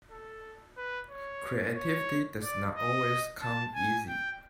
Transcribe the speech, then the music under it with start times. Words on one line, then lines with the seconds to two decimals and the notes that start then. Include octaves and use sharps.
Creativity does not always come easy.
0.11 A4
0.77 B4
1.10 C#5
1.76 C#5
2.42 D5
2.75 D#5
3.42 A5
3.75 G#5
4.08 G5